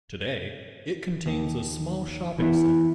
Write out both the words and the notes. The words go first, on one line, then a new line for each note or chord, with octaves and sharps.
Today it contains a small shopping centre.
D#2
E3 B3 E4